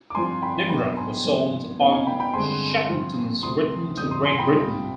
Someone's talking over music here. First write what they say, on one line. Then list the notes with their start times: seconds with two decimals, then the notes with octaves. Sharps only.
"Nimrod" was sold on Shackleton's return to Great Britain.
0.10 D6
0.15 G2 F3 C4 F4 G#5 C6
0.42 G5 B5
0.69 B1 B2 B3 D4 G5 B5
0.97 G#5 C6
1.24 G#1 G2 F3 B3 D4
1.79 B2 B3 D#4
1.92 F5 G#5
2.07 G5 B5
2.20 G5 B5
2.34 G2 D3 G#3 C4 G#5 C6
2.89 G2 F3 C4 F4
3.42 D2 C3 G3 C4 C6 D#6
3.97 G1 F2 D3 G3 C4 D#6 G6
4.11 C6 D#6
4.25 G#5 C6
4.38 G5 B5
4.53 C2 C3 G3 C4 F4